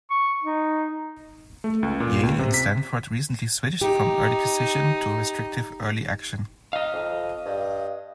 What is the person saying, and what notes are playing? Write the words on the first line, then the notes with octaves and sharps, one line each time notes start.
Yale and Stanford recently switched from early decision to restrictive early action.
C#6
D#4
A3
C#2
A#2
C#2
C3
B6
D#4 G4
D#4 D#5 F5
F2
G2